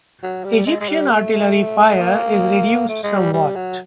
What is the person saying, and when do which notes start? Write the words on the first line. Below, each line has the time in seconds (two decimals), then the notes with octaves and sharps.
Egyptian artillery fire is reduced somewhat.
0.23 F#3
0.44 G3
0.67 G#3
0.80 G#3
0.89 G3
1.11 A3
1.33 A3
2.00 A#3
2.89 A3
3.03 G#3
3.19 G3
3.33 G3
3.56 F#3